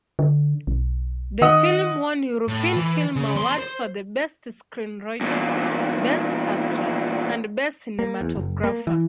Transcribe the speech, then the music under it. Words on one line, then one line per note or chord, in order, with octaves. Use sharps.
The film won European Film Awards for Best Screenwriter, Best Actor, and Best Cinematographer.
D3
B1
D#3 D#5 F#5 D#6
A2
E3
C#3
E2 C6
C5
E2 A#2
A#3
E2
F#1
A#3
E3